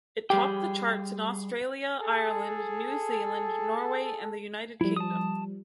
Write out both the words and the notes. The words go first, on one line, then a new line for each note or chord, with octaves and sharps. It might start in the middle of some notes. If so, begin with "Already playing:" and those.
It topped the charts in Australia, Ireland, New Zealand, Norway, and the United Kingdom.
G3 G4 G#4 G5
G#4 A4
F3 G3 E4
A5 D#6